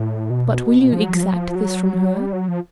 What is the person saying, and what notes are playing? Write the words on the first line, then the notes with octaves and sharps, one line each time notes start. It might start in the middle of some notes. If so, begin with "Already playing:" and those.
But will you exact this from her?
Already playing: A2
B2
F3
F#3
F3
F#3
F3
F#3
G3
F#3
F3